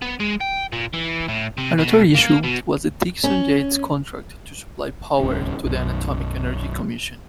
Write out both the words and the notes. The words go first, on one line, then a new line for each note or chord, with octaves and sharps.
Another issue was the Dixon-Yates contract to supply power to the Atomic Energy Commission.
B3
G#3
G5
A#2
E3
A2
C3
B2
A#3
B2
C#4
D1 C2 C#4
B1 F#2